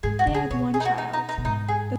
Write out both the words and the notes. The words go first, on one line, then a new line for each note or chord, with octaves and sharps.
They had one child.
G#2 G#4
F#4
C#3
G#4
B2 C#5
G#4
D#4
F#4
D#4
D#4
D#4
B2
G#2 D#4
G#4